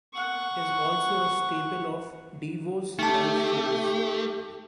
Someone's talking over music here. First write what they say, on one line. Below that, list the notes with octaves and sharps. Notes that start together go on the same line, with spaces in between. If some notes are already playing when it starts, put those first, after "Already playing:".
It is also a staple of Devo's live shows.
F#5 C#6
A3 D#4 G4 A5